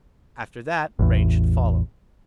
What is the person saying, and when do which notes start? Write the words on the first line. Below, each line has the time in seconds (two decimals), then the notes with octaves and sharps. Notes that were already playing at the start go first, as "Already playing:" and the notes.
After that rain should follow.
0.99 A1 E2